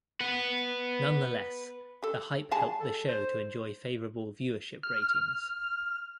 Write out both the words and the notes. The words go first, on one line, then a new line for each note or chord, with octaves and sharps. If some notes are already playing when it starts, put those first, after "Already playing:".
Nonetheless, the hype helped the show to enjoy favourable viewership ratings.
B4 F#5
G4 A4
G3 G#4 A5
A4
C5
F6